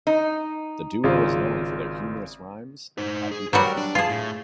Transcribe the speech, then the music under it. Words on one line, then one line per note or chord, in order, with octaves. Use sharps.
The duo is known for their humorous rhymes and catchy hooks.
D#4
G#1 C#3 F4
D#4 C5
G#4
F#3 G3 F#4 A#4
D4
F4 G#4 G#5 A5
A2